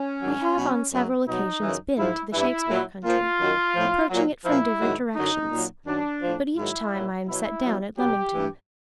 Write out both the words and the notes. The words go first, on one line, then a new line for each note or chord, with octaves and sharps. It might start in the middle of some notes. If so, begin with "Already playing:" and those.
I have on several occasions been to the Shakespeare country, approaching it from different directions, but each time I am set down at Leamington.
Already playing: C#4
G#2 D#3 F#3
B2 F#3
F#2 C#3 F#3
B2 F#3 D#4
F#2 C#3 E3
G#2 F3 E4
G2 E3 E4
A#2 F#3
A#2 F3 F4
F#2 D#3 F#3
A2 F3
A#2 F#3
A#2 F3 E4
G#2 D#3 F#3
F#2 D3 F#3 D#4
A#2 F#3
F#2 D#3 F#3 D4
A2 F3
G#2 D#3 F#3 E4
A#2 F#3
B2 F#3 E4
B2 F#3
B2 F#3 G4
G2 E3